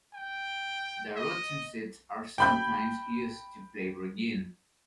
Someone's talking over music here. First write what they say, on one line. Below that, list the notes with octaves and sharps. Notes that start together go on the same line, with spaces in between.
The roots and seeds are sometimes used to flavor gin.
G5
D#5
G5 B5 G6